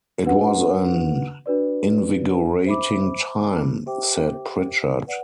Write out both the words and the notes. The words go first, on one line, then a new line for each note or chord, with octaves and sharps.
"It was an invigorating time," said Pritchard.
D4 F#4 B4 F#5
D4 F#4 B4 D5
C5 E5 B5 D6
G4 C5 E5 G5 D6
B4 D5 F#5